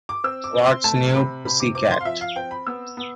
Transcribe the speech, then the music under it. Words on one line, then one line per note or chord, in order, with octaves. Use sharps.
What's New Pussycat?
D6
C4 E6
D6
C4
C6
A3 A5
C3 B5
C3 B5
D6
C4 D6
C6
F5
F3 E5
F5
C4 G5
B5
B3 E6
B3